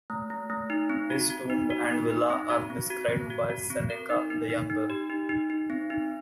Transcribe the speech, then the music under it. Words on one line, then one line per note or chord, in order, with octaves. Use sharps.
His tomb and villa are described by Seneca the Younger.
A3
A3
A3
D#4
C4
F#4
F#4
D#4
F#4
D#4
D#4
C4
F#4
C4
F#4
C4
F#4
F#4
C4
A#4
D#4
D#4
D#4
D#4
G4
D#4
D#4
D#4
C4
D#4